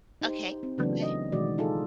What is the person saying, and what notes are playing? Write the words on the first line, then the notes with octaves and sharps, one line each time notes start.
Okay. Okay.
D#4 G4 C5
C4
C#3 E3 F#3 A3 B3 D4
D#5
B2 D#3 E3 G#3 F#4 D5
D#4 F4 G#4 A4